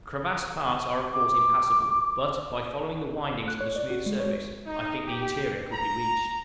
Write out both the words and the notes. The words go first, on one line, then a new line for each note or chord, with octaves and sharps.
The crevassed parts are of course impassable, but, by following the windings of the smooth surface, I think the interior could be reached.
D6
F#6
C#5
D5
F#4
G#3
C#5
D#4
G4
A#5